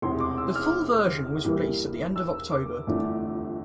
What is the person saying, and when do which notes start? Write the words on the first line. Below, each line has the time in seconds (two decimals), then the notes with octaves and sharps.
The full version was released at the end of October.
0.02 E1 E2 C3 C6
0.20 D6
0.38 E6
0.55 F6
1.45 G2 E3 G3 A#3 E4
2.16 E6
2.52 D6
2.87 G1 F2 E3 A3 D4